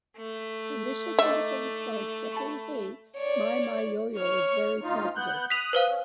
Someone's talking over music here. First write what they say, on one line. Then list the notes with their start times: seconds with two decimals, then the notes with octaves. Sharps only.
Initial critical response to "Hey Hey My My Yo Yo" was very positive.
0.17 A3
1.19 D#4 E4 D5 E5
2.32 A5 B5 C#6
3.17 C#5 D5
4.17 C#5 C#6 F6
4.82 D2 D#4 F4
5.16 B3 F#6 G6
5.50 D#6 F#6 B6 F7
5.73 B4 C5 F5
5.89 C#4